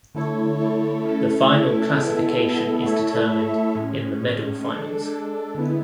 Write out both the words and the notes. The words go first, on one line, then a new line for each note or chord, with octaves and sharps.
The final classification is determined in the medal finals.
D3 A3 E4 A4 C#5
D3 A3 E4 A4 C#5
A3 C#4 E4 A4
A3 C#4 E4 A4
G#3 B3 E4 A4
G#3 B3 E4 A4
A3 E4 A4 C#5 E5
A3 E4 A4 C#5 E5
A2 G#3 C#4
A2 G#3 C#4
G#3 D4 A4
G#3 D4 A4
D3 G#3 B3 E4